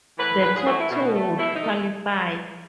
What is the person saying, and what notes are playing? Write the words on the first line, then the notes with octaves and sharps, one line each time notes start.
The top two would qualify.
E3 A3 B4
G#2 B4
G#4
E3 A3 F#4
E4
B2
A3
B2 E4
D#4
A3